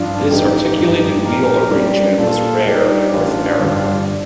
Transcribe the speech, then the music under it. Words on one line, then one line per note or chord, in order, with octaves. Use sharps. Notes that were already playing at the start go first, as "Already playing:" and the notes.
This articulated wheel arrangement was rare in North America.
Already playing: G2 F3 D4 F4
A1 D#4 G4
G2 F3
A#2 G4 A#4
G3 D4
A#2 F4 A4
G3 D4 D#4 G4
A1 D4 F4
G2 D3 G3